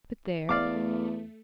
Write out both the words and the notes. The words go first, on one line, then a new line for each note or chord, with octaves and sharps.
But there!
E2 A3 D5 F5 D6